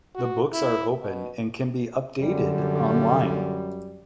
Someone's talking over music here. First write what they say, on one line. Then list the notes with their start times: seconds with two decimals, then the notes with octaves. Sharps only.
The books are open and can be updated online.
0.15 F#4
0.53 E4
1.01 B2
2.19 F#2 D3 G3